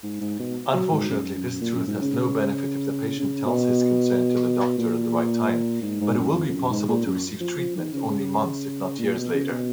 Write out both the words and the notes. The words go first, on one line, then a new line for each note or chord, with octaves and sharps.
Unfortunately, this truth has no benefit if the patient tells his concern to the doctor at the right time, but it will be possible to receive treatment only months, if not years later.
G#2
G#2
B2
F#3
G#2
F#2
F#2
A#2
F#2
G#2
C#3
C#3
B2
A#2
G#2
G#2
F#2
F2
F2
F#2
G#2
A#2
F#2
F3
F3
D#3
C#3
A#2
B2
C#3
B2